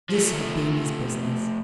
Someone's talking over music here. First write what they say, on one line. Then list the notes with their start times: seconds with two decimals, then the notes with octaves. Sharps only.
This had been his business.
0.10 F3 A3